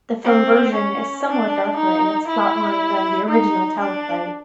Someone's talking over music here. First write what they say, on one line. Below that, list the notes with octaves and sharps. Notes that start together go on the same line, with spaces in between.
The film version is somewhat darker in its plotline than the original teleplay.
C4
C#4
D4
D#4
E4
D#4
D4